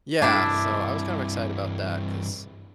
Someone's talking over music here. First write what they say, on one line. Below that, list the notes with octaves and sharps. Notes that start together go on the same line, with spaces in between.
Yeah, so, I was kind of excited about that 'cause,
G2 E3 D4 E4 E5